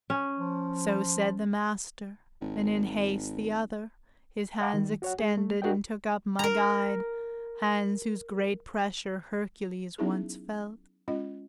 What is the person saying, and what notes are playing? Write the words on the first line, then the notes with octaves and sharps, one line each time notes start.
So said the Master; and in haste the other His hands extended and took up my Guide,-- Hands whose great pressure Hercules once felt.
C#4
F3
G#1
D#5 F5 F#5 A5 A#5 D6
D#3 G3
F#4 C#5 F#5
G#3 G#4
A3
D4 F#4 A#4 D#5 G5
A#4 A#5
F#3 B3 C#4 D#4 E4 G#4
G#3 C#4 F4 D#5